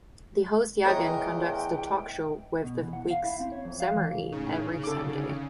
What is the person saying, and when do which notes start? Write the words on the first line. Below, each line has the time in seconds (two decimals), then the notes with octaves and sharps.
The host Jagan conducts the talk show with the weeks summary every Sunday.
0.84 E2 A2 E3 A#4 B4 C#5 D#5 G5
2.64 B2
2.79 E3
2.93 F#5
3.11 F5
3.24 E4
3.40 C4
3.52 C#5
3.65 F2
3.80 F5
3.95 E3
4.32 A#1 A2 C#3 D#4
4.84 D3 A4 D6